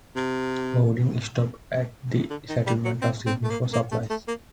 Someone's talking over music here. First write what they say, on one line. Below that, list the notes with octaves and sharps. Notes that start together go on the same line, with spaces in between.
Baudin stopped at the settlement of Sydney for supplies.
C3
D3
D#3
G3
F#3
C4
C4
A3
A#3
A#3
A3
A3
A#3